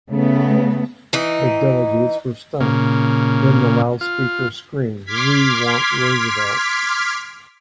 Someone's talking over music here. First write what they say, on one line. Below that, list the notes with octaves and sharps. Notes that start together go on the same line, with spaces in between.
The delegates were stunned; then the loudspeaker screamed We want Roosevelt...
C#3 A3 B3
E3 D#4
A#2 C#3
F4
C6 D6 F6 G#6 B6